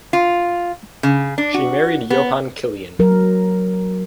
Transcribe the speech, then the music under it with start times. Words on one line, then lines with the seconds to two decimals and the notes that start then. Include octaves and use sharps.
She married Johan Kilian.
0.13 F4
1.03 C#3
1.38 D4
1.54 F#4
2.10 B3
2.99 F#3 A#4